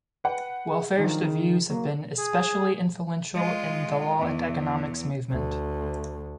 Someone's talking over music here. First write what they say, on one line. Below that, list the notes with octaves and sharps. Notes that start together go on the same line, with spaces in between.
"Welfarist" views have been especially influential in the law and economics movement.
B4 F#5 G5
G#4
D3 D#3 F3 F#3
C#3
F#3 A#3
G#4
G#3 F4
E2
D2